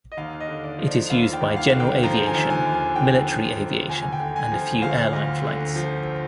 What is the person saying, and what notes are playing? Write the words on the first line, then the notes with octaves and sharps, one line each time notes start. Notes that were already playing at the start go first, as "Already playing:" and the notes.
It is used by general aviation, military aviation and a few airline flights.
D#5
D#2 F5
D#5
D3
D5
F3
D5
D#2 F5
G5
D#2
F5
D3
G5
F3 A#5
G#5
D#2
G#5
D#2
G#5
D3 G5
F3
D#2
D2 G#5
G#5
G5
D3
G#5
F3
D2 F5
D2
D3
F3